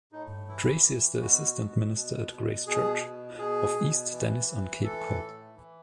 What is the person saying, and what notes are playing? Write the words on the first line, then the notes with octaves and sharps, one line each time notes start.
Tracy is the Assistant Minister at Grace Church of East Dennis on Cape Cod.
A2 D#4
E3 E4
E3
B2 F#4
B2
B2
B2
B2 G#4
B2
B2 G#4
B2
E3
E3
E3 A4
A2
E3